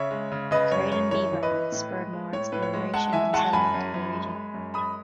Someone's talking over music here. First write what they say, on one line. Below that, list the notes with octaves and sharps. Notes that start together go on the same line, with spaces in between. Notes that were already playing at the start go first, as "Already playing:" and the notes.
Trade in beaver hats spurred more exploration and settlement of the region.
Already playing: C#3 C#5 E5
G#3
C#3
C#3 B4 D#5
F#2 C#5
F#2 C#5
E3 C#5
E3
B4 D#5
E3
A2
G#3
G#3
A2 C#5
A2 B4
C#5
G#3
G#3 F#5 A5
E3 E5 G#5
G#3 F#5 A5
F#2 G#5 B5
F#2
F#2
G#3
G#3
F#2
G#3 B5 D#6